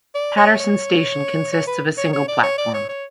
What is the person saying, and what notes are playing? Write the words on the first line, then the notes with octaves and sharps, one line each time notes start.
Paterson station consists of a single platform.
D5
C#5
C#5
C#5
B4
C#5
C#5
D5
C#5
D5
C#5
C#5